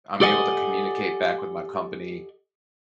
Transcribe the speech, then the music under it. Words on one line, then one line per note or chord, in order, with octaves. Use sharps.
I'm able to communicate back with my company
G4 A4 D5 D#5 F#5 G#5